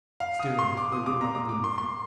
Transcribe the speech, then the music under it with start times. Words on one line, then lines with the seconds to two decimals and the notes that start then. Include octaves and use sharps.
Still they would not move.
0.20 F5
0.39 D#6
0.59 C6
0.77 D6
0.92 D#6
1.06 D6
1.21 A#5
1.35 D6
1.49 D6
1.64 C6
1.78 C6